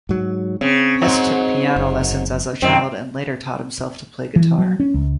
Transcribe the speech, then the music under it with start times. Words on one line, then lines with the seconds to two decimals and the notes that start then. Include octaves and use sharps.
Hest took piano lessons as a child and later taught himself to play guitar.
0.09 G#2 F#3
0.61 C#3 C4
1.02 G#2 F#3
1.76 F#1
2.62 F#2 D#3 C4
4.36 E3
4.58 F#3
4.80 C#4
4.94 C#2